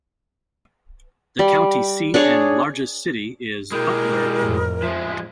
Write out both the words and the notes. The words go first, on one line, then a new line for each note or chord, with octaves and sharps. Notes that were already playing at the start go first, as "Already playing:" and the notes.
The county seat and largest city is Butler.
G3
D4 G#4 C#5
B2 G#3 E4 G4 G#4 A#4
F2 A2
F3 G#3 E5